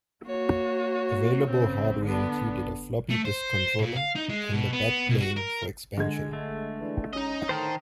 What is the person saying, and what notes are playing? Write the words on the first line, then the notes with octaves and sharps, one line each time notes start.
Available hardware included a floppy disk controller and a backplane for expansion.
A#3 F#4 C#5
C#3 C4
D3 B3 D4
A3
C5
A#2
F5
D#4
G#3
B2
B3
B2
F#4
A#4
D3 G#3 G#6
A3
E3 D4
C#4 D#4 D#5
A2 D3 D#3 C5 A5 C6